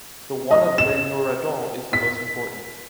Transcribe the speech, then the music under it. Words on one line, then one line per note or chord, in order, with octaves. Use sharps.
The one of Les Nourradons is the most important.
D#5
E7
B6